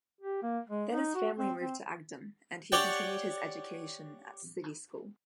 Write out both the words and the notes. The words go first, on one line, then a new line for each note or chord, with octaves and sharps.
Then his family moved to Agdam and he continued his education at city school.
G4
A#3
G#3
D#4
F#4
C4
C4
G4 C#5 D5 F#5 G5